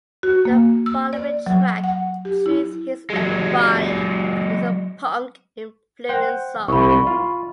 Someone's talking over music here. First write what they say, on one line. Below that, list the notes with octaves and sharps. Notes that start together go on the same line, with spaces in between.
The following track, "Truth Hits Everybody", is a punk-influenced song.
F#4
A#3
E6
D5
F#3
F#5
G4
E4
F#3 G#3
C5 F#5 G5
C2 B5 C#6
F4